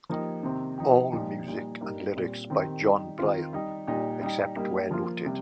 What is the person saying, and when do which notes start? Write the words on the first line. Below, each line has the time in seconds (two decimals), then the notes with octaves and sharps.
All music and lyrics by Jon Brion except where noted.
0.09 F3 A#3 D#4 G4
0.43 C3 D#3 C4
0.78 F3 D#4 G4
1.12 A#2 F3 D#4 G4
1.46 A#2 G3 D#4
1.81 G3 A#3 D#4 G4
2.15 A#2 G3 C4
2.50 D#3 C4 G4
2.84 G3 D#4 G4
3.18 D#3 C4 F4
3.53 G3 D#4 G4
3.87 A#2 G3 D#4 G4
4.21 G3 D#4 G4
4.56 G3 A#3 D#4 G4
4.91 F3 A#3 F4
5.25 C3 G3